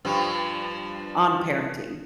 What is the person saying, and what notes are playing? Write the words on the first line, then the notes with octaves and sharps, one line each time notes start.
on parenting.
G2 F3